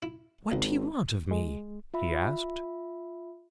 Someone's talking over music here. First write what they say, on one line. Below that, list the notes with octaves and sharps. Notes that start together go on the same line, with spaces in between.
"What do you want of me?" he asked.
E4
G#1 C#2
G#3
F4 E5 B5